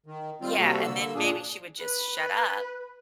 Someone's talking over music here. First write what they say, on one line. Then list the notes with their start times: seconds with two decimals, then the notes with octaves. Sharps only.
Yeah, and then maybe she would just shut up
0.06 D#3
0.41 D#3 G3 C4 F4
0.58 C3 G3 A#3 F#4 A4
0.83 D3 A#3 E6
1.15 A#2 D4 G#4
1.80 B4